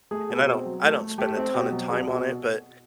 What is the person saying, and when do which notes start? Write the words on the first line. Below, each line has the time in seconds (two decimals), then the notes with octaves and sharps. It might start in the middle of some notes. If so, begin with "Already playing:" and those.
and I don't I don't spend a ton of time on it, but
0.11 A3 G#4
0.30 B2
0.47 C4
0.65 F#3
0.83 A3
1.01 A3
1.18 A3 G4
1.37 C4
1.54 B2 G4
1.72 F#3
1.90 C2 G#4
2.08 B2